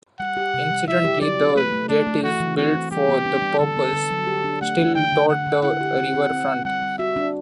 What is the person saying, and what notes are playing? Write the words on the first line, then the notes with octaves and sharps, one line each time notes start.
Incidentally, the jetties built for the purpose still dot the riverfront.
G3 F#5
G4
C3
G3
E4 E5
G4
F#3 D5
B3
A3 B4
A3
A3 D4
A3
E3 F#4
E3
C4 F#4
E3
G3 G4
B3
D4
G3
D3 A4
B3
D3
F#3
G4
D4
A3 F#5
D4
D3 G5
D3
D3 F#5
D3
E4 F#5
G4
C4
C4
C4
C4
G3 F#5
G3
F#4 E5
D4